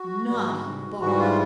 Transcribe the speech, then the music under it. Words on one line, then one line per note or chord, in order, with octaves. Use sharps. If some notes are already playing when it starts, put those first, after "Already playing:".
"Naughty Bart!"
Already playing: F#4
G#2 E3 G3
G#2 E3 G3 F#4
F4